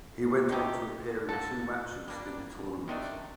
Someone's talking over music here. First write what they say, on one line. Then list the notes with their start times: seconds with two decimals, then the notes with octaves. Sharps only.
He went on to appear in two matches in the tournament.
0.49 D#3 A3 D#4 G4
1.29 A#3 F#4 A4
2.08 G3 A#3 D4
2.88 C3 D#3 A3 D4